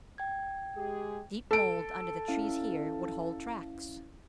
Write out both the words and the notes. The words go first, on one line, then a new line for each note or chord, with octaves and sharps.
Deep mold under the trees here would hold tracks.
G5 G#6
G#3 G4 G#4
A4 D7
C#4 E4 F5